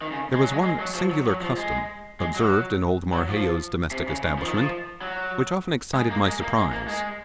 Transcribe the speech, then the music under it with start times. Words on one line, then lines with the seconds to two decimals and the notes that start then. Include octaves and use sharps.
There was one singular custom observed in old Marheyo's domestic establishment, which often excited my surprise.
0.02 D#3
0.12 C#3
0.33 G#3
0.42 F#3
0.50 G#3
0.63 G#3
0.80 F#3
0.95 F3
1.10 F#3
1.27 F#3
1.41 F3
1.57 G#3
2.20 G#3
2.36 F#3
3.13 F#3
3.29 F3
3.91 C3
4.08 C#3
4.23 C#3
4.39 F3
4.46 D#3
4.55 F3
5.01 F#3
5.94 G#3
6.11 A#3
6.26 G#3
6.42 A#3
6.57 G#3
6.73 A#3
6.88 G#3